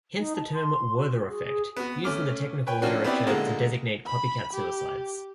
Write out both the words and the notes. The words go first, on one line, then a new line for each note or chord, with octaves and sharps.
Hence the term "Werther effect", used in the technical literature to designate copycat suicides.
D#4
A5
C6
F#4
G#4
G#4
B3 F#4
A3 C#4 D6 F6
B4 C#5 G5
F3 A#3 C#4 D4 F#4
B3 C4 E4 G4 C#5 D5
A#2 D3 G#3 A#3
B5
G4